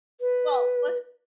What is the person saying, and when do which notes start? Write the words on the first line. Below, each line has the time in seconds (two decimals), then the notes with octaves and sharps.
Well, what
0.20 B4